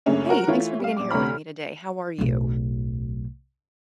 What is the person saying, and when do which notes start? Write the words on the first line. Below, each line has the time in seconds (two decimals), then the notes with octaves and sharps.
Hey. Thanks for being here with me today. How are you?
0.06 F#2 C#3 A3 A#3 C#4 D4
0.29 F#4 A#4 F#5
0.47 E3 A3 E4 F4 C#5
0.79 G3 F5
0.97 A#1 D6
1.10 D2 C3 C#5 A#5 B5 F6
2.18 D1 B1